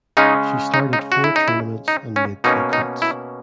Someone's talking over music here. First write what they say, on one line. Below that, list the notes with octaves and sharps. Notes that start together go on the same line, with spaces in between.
She started four tournaments and made two cuts.
C#3 G#3 C#4 D#4
D#4
D#4
F#4
E4
D#4
E4
D#4
C#4
B2 A#3 C#4 D#4
D#4
E4